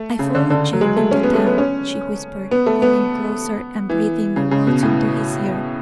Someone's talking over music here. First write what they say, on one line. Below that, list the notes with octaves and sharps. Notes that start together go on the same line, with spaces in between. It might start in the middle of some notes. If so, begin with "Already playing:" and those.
"I followed you into town," she whispered, coming closer, and breathing the words into his ear.
Already playing: A3
C#3
D3
D3
F#3
G#3
A3
C#4
B3
A3
B3
C#4
B3
A3
B3
E3
C#3
C#3
B2
A2